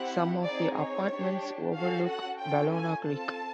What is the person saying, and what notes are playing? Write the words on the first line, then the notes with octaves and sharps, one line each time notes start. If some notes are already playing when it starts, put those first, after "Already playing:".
Some of the apartments overlook Ballona Creek.
Already playing: C4 E4 G4 F#5
C4 D#4 G#4 D5
C#5
D4 G4
C#4 F#4 A4 F5
F#5
C#4 F4 A4 G5
G#5
C4 F4 A4 A5